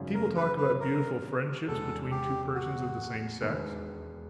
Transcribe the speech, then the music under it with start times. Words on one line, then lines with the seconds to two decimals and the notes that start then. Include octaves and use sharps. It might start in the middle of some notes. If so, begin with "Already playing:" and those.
People talk about beautiful friendships between two persons of the same sex.
Already playing: G#1 F#2 C#3
0.14 A#4
0.36 B4
0.57 B4
0.80 A#4
1.67 E1 E2 B2 G#3 A4
2.11 G4
2.54 F#4
3.42 E1 D#2 D#3 G#3 B3